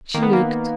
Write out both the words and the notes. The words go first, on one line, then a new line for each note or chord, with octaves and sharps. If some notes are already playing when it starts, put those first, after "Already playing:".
She looked.
D#3 A#3
B3
A#3